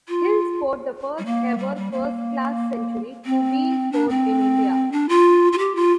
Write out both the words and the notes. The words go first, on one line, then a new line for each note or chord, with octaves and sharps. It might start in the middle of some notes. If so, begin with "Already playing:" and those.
Hill scored the first-ever first-class century to be scored in India.
F4
G3
A#3
G3
G3
A#3
C4
D4
C4
D4
F4
F4
G4
F4